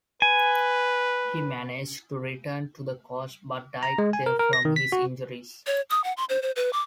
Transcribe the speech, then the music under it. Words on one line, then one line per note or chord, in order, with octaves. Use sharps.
He managed to return to the coast, but died there from his injuries.
B4 G#5
A#5
G#3
G#5
A#4
A#4
A#6
D#3
B6
F#4
C#5
D#6
F#5
C6
C5
C5
B4
D6